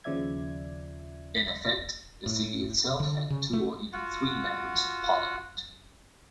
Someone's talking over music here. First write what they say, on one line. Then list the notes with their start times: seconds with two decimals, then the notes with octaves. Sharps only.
In effect, the city itself had two or even three Members of Parliament.
0.04 D#2 C#3 F3 D5 E5 G#6
2.26 A2
3.00 D3
3.30 C#3
3.53 A3
3.93 F4 F#4 F#5